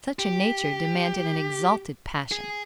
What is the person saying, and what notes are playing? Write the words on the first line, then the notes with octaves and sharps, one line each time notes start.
Such a nature demanded an exalted passion.
G4
G#4